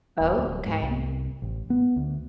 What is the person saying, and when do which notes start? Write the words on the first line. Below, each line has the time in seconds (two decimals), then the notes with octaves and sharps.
Oh, okay.
0.20 D#1
0.37 D1
0.65 G#2
0.83 C2
1.42 A1
1.70 B3
1.96 D2